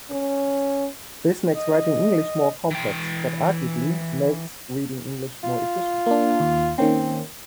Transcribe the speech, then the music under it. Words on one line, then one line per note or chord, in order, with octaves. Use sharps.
This makes writing English more complex, but arguably makes reading English more efficient.
C#4
D#5
E3 G5
F4
A#3 D4
D#2
D#3 A#3 C4 C#4